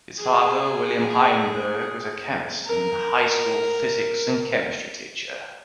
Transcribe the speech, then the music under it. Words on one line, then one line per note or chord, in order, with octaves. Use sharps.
His father, William Heinberg, was a chemist and high-school physics and chemistry teacher.
G#4
A#4